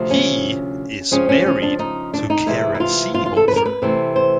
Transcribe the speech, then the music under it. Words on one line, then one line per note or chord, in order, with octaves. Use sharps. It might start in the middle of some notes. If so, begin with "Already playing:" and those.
He is married to Karin Seehofer.
Already playing: D2 C3 F3
C#4
C#3 F3 G#3 C4 C#4
C#4
C#4
D4
D#4
D4
D#4
C3 E3 G#3 E4
E4
F4
F4
F4
A4
B4
A#4
B4
C3 E3 A3 C4
C5